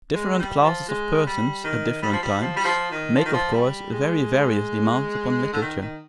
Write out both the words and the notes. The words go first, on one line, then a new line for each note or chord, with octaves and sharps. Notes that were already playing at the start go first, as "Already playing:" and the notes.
Different classes of persons, at different times, make, of course, very various demands upon literature.
G#3
G3
F3
G#3
G3
D#3
G3
F3
G3
F3
G3
F3
D#3
F3
D#3
F3
G3
G#3
D3
D#3
D#3